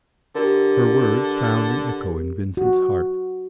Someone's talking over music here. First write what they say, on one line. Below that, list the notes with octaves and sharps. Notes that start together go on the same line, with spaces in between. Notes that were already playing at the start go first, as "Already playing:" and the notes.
Her words found an echo in Vincent's heart.
D3 G4 A#4
F#4